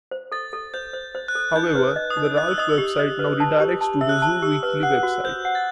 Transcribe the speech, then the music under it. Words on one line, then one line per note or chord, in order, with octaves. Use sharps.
However the Ralph website now redirects to the Zoo Weekly website.
C5
A4 A6
A4
C5 G6
C5
C5
F#6
A4
D#4 G6
B4
D#5
D#6
D#4
D#5 F#6
E6
D#5 D#6
E6
G4
D#5
B4
A5
G4
A5
E5 E6
F#6
E6
A5
G4 E6
B4
F#5 F#6
F#4
C5 G6
F#5
A6